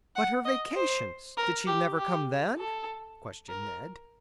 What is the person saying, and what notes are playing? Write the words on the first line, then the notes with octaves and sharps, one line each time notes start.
"But her vacations--did she never come then?" questioned Ned.
F#5
D#5
C5
A#4
G4
G4
A4
A#4